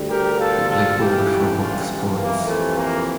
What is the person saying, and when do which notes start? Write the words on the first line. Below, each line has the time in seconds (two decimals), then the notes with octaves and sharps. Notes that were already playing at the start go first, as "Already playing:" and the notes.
He played goalie for both sports.
Already playing: D2 D3 G3
0.09 G4 A#4
0.39 F4 A4
0.68 F4 A4
0.98 A1 G2 E3 E4 G4
1.57 D4 F4
2.17 F2 C3 E3 A#3
2.47 A3
2.77 A#3